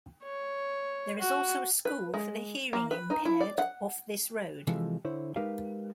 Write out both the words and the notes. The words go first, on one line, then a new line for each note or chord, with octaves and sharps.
There is also a school for the hearing impaired off this road.
C#5
F#4
B4
G#3
A#3
B4
D#4
E4
D5
F#5
C3 E3 F3 G#3 F4 A4
D3 E4 C5 C#5
G#3 D#4 G4 A#4 B4 F5